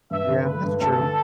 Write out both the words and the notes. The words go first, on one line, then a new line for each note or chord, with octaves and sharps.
Yeah, that's true.
G2 E5
D3
A3 B4
G2
D2 A4
D3